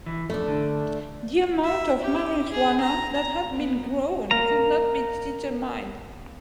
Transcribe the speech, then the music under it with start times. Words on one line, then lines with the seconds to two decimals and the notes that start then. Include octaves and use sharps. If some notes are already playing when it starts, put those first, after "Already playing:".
The amount of marijuana that had been grown could not be determined.
0.06 E3
0.30 F2 A3 D4
0.48 D3
1.63 E5
2.02 G4
2.51 G#4
2.80 A#5
3.12 A#5
3.55 B3
4.31 A#3 A#5